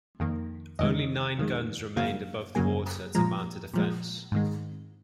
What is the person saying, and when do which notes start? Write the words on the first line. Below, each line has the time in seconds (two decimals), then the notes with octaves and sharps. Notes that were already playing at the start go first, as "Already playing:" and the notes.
Only nine guns remained above the water to mount a defense.
0.20 F2 D#3 A#3
0.79 F2 D#3 G#3 D#5
1.38 F2 D#3 G#3
1.97 F#2 C#3 F#3 A#3 F5
2.55 F#2 C#3 F#3 A#3 G#5
3.15 A#2 F3 G#3 A#5
3.74 A#2 F3 G#3
4.32 G#2 D#3 G#3